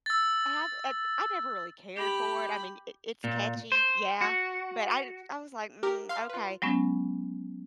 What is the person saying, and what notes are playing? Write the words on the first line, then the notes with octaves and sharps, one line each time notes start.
I have eh I never really cared for it, I mean, i it's catchy, yeah, but I I was like, "Mm, okay."
E6 A6
G4 B5
A#2
C5
F#4
G4 A#4
F5 C6 F6
F4 B4
F#3 G#3 B3 C#4